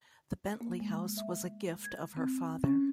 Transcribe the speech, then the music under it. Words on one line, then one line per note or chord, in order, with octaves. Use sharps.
The Bentley house was a gift of her father.
A#3
G#3
E5
G#6
C4
C#4